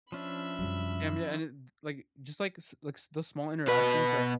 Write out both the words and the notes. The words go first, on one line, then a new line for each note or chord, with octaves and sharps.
Damn, yeah, and it like, just like s like, the small interactions, like,
F3 C#4 D4 E5 B5
F#2 C3 F#3 G3
B2 B4